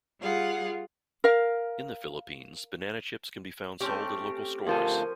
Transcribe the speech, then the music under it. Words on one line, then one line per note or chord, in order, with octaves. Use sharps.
In the Philippines, banana chips can be found sold at local stores.
G3 F4 G#4 F5 F#5
A#4 F5
A3 C4 C#4 G4
D2 F3 F4 A4 A#4 C5 G#5